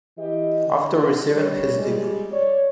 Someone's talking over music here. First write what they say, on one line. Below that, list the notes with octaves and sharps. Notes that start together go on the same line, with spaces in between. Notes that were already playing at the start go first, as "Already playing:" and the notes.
After receiving his Dip.
E3 G4 D#5
D3
G3 C#5
G3 G#3
C#5 D5